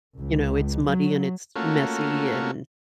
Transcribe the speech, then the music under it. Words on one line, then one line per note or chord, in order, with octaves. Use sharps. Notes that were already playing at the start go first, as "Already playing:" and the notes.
you know, it's muddy and it's messy and
C#2
F#3
A3 A#3 C#4 F4 F#4